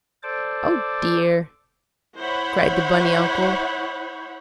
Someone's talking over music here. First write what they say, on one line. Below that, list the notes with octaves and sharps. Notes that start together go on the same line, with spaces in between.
"Oh, dear!" cried the bunny uncle.
A4 C5 D5 D6
E4 C5 C#5 F#5 B5